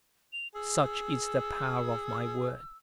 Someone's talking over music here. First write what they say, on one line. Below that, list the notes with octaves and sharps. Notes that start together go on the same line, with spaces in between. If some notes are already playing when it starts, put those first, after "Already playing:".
Such is the power of my word!
F7
G#4 E6